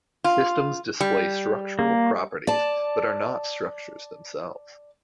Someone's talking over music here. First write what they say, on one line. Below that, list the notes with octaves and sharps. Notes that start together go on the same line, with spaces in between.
Systems display structural properties but are not structures themselves.
F4
G3
A#3
D5 A5